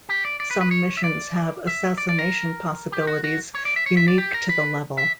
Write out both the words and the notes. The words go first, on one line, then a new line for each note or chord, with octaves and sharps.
Some missions have assassination possibilities unique to the level.
G4
D5
D5
B4
B4
C#5
E5
D5
E5
D5
D5
A#4
G4
F#4
F#4
C#5
D5
E5
C#5
E5
D5
G4
A#4
B4
E5